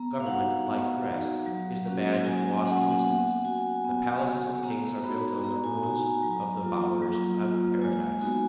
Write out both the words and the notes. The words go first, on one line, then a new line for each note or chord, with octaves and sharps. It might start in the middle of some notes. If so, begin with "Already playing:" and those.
Government, like dress, is the badge of lost innocence; the palaces of kings are built on the ruins of the bowers of paradise.
Already playing: B3 A#5
F5
D#4 F#4 F#5
B3
D#4 F#4
F#3
A#3 C#4 F#4
F#3 G#5
A#3 C#4 F#4 F#5
G#5
F#5
B3 F#5
F#4 G#5
B3
F#4
B3 A#5
D#4 F#4 B5
B3 A#5
G#5
D#4 F#4 G#5
A#5
F#3
A#3 F4
F#3
A#3 F4
G#3 G#5
B3 D#4 F#4 G#5